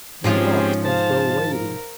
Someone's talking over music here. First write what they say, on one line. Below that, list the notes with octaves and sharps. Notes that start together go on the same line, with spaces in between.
He walked as though wading.
G#2 F3 C4 C#4 F4 G4 G#4
C5 F5 A5
A#4